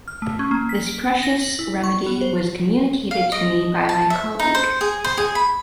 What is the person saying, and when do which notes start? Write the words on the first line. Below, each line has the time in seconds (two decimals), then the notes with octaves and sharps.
This precious remedy was communicated to me by my colleague.
0.08 F6
0.22 A3
0.39 C#4
0.51 A#3
0.69 B6
0.87 D7
1.23 A#6
1.42 F#7
1.59 E4
1.84 C#6
2.06 B3
2.21 C5
3.11 F5
3.32 D#5
3.89 A5
4.10 E5
4.40 D#4
4.55 C5
4.81 G#4
5.04 C5
5.17 G#4
5.35 B5